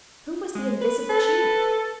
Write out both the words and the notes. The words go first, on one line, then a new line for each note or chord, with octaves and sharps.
Who was the invisible chief?
G#3
B4
A4